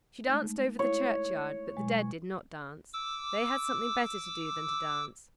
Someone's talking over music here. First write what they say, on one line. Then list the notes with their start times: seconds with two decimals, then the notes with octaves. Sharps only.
She danced over the churchyard, but the dead did not dance--they had something better to do than to dance.
0.27 G#3 A3 D#4
0.79 E4 C#5
1.77 B2 F#3 G#3
2.93 D6 E6